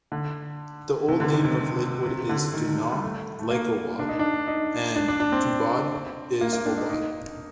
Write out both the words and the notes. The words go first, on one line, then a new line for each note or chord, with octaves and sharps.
The old name of Lakewood is Danaw Likowai and Tubod is Obod.
D3
C3
D3
D#3
C3
C3
C3
D3
D#3
G3
A3
A3
A#3
D4
D#4
D4
D#4
D4
D4
D4
C4
A#3
A#3
D4
D#4
D#4